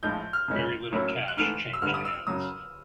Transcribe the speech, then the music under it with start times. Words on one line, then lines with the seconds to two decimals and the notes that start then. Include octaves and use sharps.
Very little cash changed hands.
0.03 A#1 A2 F3 G#3 G6
0.33 F6
0.48 F#2 C#3 E3 G#3 C#4
0.92 A2 F#3 A#3 C#4 E4
1.28 F#6
1.37 G#2 E3 A3 F6
1.73 E6
1.82 A1 G2 D3 G3 F6
1.94 D#6
2.05 E6
2.27 F#2 C#3 F#3 D#6